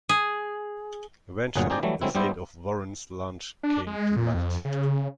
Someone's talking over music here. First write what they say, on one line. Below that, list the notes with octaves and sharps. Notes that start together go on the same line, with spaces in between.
Eventually, the fate of "Warren's" launch came to light.
G#4
G1 D2 A#2 F#3 G#4 F#5
C4 D#4 G#4 D5 D#5 G5
E3 F#3 G3 A3
D3 F#3 G#3 C4 E4
G2 G3 B3 E4 C5
D4
G#3
A#2
F2
C#3